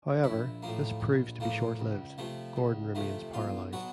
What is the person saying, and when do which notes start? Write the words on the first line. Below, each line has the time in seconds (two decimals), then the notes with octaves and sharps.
However, this proves to be short-lived; Gordon remains paralyzed.
0.24 A#1 E4
0.63 A2 F3 A#3
1.01 A#1
1.40 A2 F3 A#3
1.79 C#2
2.18 C3 F3 A3
2.56 C#2
2.95 C3 F3 A3
3.34 B1 F4
3.73 B2 F#3 F#4